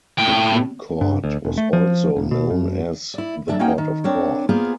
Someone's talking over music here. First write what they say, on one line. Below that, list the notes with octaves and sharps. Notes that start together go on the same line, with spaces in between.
The food court was also known as the Port of Call.
A2 G5
G2
D2
E1
A3
F3
E1
B2
F#2
E4 D5
F#2 D3 D4 D5 E5
A#3 C#4 D#4 F#4 A#4 G5
D#3
C4 D4 A#4 C#5
A#3 B3 F4 G#4 C5 D5